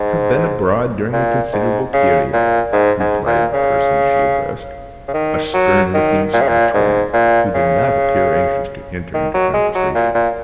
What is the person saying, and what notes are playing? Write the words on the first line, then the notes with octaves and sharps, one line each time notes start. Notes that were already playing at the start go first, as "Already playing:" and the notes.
"I have been abroad during a considerable period," replied the person she addressed, a stern-looking Scotchwoman who did not appear anxious to enter into conversation.
Already playing: G#2
A#2
G#2
C#3
A#2
G#2
G#2
A#2
C#3
C#3
D#3
F#3
D#3
A#2
C#3
A#2
G#2
A#2
C#3
D#3
F#3
G#3
F#3
A#2
A#2